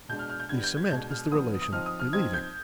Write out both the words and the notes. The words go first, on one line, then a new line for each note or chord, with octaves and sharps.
The cement is the relation 'believing'.
B2 G#3 D4 G6
F6
F6
G6
D3 G3 B3 G#6
G6
G#6
B2 G#3 D4 G6
F6
D3 F3 B3 D#6
D#6
F3 C4 D#4 F6
D#6
F6
F3 C4 D#4 G#6
G6